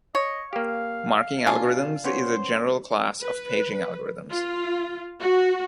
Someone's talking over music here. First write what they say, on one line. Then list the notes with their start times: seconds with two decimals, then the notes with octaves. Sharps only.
Marking algorithms is a general class of paging algorithms.
0.15 C#5 D#5
0.53 A#3 G4 F5
1.47 B2 D4 F4 G#5
2.04 B3 C#4 C5 C#5
3.20 B4
4.30 F4
5.20 F#4